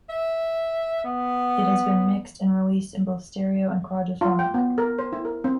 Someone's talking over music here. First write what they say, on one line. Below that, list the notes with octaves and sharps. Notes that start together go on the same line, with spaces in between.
It has been mixed and released in both stereo and quadraphonic.
E5
B3
F4
G5
B3
A#4
C5
E4
A#4
C4